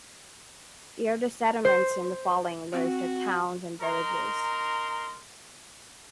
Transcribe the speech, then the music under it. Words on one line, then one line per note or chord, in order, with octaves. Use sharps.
The other settlements in the following list are towns and villages.
C5
C4 F#4
D#4 A#4 A#5 C6